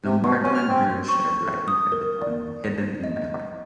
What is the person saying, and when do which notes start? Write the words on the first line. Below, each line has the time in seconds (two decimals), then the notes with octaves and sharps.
Lombardo and Drew shared writing credit on "Hidden in My Heart".
0.05 C3
0.21 B2
0.42 C#4
0.54 F6
0.69 C4
1.08 C#6
1.68 D#6
1.92 A#4
2.22 D5
3.04 D#5